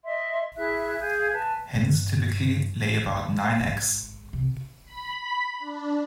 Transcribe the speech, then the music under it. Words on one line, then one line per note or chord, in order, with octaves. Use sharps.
Hens typically lay about nine eggs.
D#5 E5 C6
E4 G#4 E5 F#6
G#4 F5 G#5 G6
B4 G#5 A5
G2
A#3
G#2
C3
B5
D4